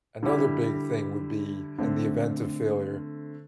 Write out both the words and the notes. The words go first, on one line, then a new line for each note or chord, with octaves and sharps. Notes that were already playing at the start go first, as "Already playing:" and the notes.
another big thing would be in the event of failure,
D3 G3 E4 G4
D3 A3 C4